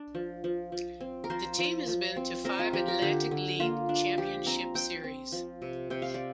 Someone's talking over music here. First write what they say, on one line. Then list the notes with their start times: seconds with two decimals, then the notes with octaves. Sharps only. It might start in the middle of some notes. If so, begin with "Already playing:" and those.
The team has been to five Atlantic League Championship Series.
Already playing: D4
0.15 F3
0.44 F3
0.72 F3
1.01 C4
1.24 A#4
1.30 F3 C5
1.59 F3
1.88 F3
2.16 C4
2.45 C4 A#4
2.59 F4
2.73 F3 G4
2.88 A#4
3.02 D3 G4
3.31 D3
3.60 A#3 F4
3.89 D4
4.17 F3 G4
4.46 C4 A#5
4.75 C4 G5
5.04 C4
5.32 F3
5.62 C3
5.90 C3 G5
6.02 F5
6.14 D5